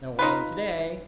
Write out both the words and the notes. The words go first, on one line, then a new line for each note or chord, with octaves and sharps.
No rain to-day.
D#4 F4 B4